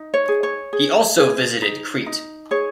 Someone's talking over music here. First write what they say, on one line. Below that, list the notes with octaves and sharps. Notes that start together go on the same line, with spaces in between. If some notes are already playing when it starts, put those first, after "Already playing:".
He also visited Crete.
Already playing: D#4
C#5
G#4
C#5
G#4
G#4
D#4
D#4
G#4 C#5